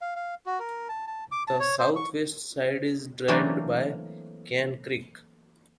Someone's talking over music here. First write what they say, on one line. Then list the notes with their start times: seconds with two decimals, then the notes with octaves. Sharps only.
The southwest side is drained by Cane Creek.
0.01 F5
0.15 F5
0.46 F#4
0.59 A#4
0.89 A5
1.07 A5
1.32 D6
1.48 A5
1.60 C#5
1.79 C5
1.96 C#6
3.28 E3 F#3 A3 A#3 C4 D4